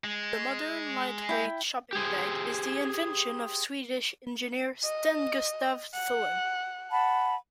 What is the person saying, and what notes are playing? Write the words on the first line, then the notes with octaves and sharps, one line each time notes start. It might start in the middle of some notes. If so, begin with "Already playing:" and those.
The modern lightweight shopping bag is the invention of Swedish engineer Sten Gustaf Thulin.
G#3
E4 G5
G4 G#4 C5
D#5
F#5
F#5 A5 B5